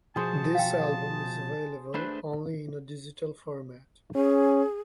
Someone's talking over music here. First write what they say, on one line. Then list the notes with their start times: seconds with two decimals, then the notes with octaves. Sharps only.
This album is available only in a digital format.
0.16 B2 F3 F#4 G#4 C5 A5
0.55 F5 G5
1.94 A3 D4 B4 C5
4.15 C#4 G#4